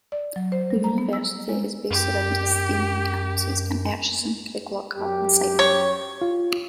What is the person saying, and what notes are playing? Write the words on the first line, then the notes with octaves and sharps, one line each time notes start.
The university is based around its three main campuses at Merchiston, Craiglockhart and Sighthill.
D5
F#3
C5
G3
A#5
B3
E6
G#3
F#2 G4
F#2 G4
C#5
F4